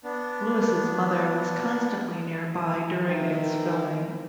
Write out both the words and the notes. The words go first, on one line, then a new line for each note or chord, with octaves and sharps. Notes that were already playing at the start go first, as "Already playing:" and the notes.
Lewis' mother was constantly nearby during its filming.
B3 D4
D#3 E3